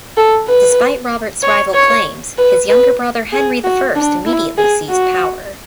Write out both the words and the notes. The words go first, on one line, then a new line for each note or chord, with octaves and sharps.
Despite Robert's rival claims, his younger brother Henry the First immediately seized power.
A4
B4
C#5
C#5
B4
B4
G#4
F#4
D4
E4
G#4
F#4